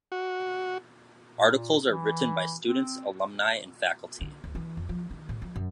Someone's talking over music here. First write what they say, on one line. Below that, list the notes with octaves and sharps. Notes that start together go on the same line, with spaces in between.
Articles are written by students, alumni and faculty.
F#4
A#2
E3
C4
D3
D2
E3
F2
F3
D#3
A2
F3
F#2